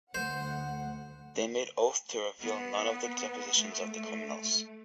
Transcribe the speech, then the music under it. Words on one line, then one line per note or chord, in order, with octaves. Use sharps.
They made oath to reveal none of the depositions of the criminals.
D2 C5 F#5
B3
A3